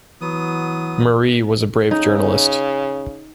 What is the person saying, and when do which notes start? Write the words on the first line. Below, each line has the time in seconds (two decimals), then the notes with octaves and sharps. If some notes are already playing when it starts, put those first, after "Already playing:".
Marie was a brave journalist.
0.21 E3 F#3 B3 D#6
1.91 C#3 D#4